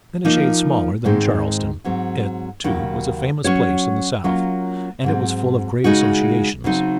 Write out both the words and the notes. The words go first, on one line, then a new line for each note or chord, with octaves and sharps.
Then a shade smaller than Charleston, it, too, was a famous place in the South, and it was full of great associations.
F3 A#3 D#4
G#2 D#3 G#3 C4
G#2 F#3 C4
D#2 C#3 F#3
F#3 C#4 F#4 C#5
F#3 A#3 C#4 F4
G#2 F#3 C4
C#3 G#3 D#4 F#4
C#3 F#3 C4 D#4